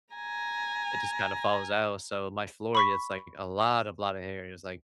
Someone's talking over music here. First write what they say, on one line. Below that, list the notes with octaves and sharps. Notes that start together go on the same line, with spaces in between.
it just, kind of, falls out, so my floor gets like a lot of lot of hair, it's like,
G#5 A#5
B5 C#6 B6